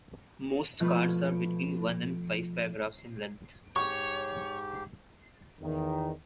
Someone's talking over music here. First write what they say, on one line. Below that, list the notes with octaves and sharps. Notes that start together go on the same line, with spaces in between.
Most cards are between one and five paragraphs in length.
B2 F3 A3 F4 B4
G#2 G4 C#5 C#6
E2 D#3